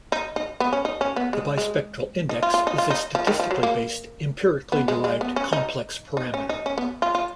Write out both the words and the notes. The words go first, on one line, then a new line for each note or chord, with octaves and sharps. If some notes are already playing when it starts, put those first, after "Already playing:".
The bispectral index is a statistically based, empirically derived complex parameter.
D#4
D#4
B3
C#4
D#4
C#4
B3
G#3
G#3
D#4
F4
F4
D#4
F4
D#4
F3
D#3
F3
F#3
A#3
B3
G#3
G#3
B3
C#4
D#4
D#4
C#4
D#4
C#4
B3
F4
F4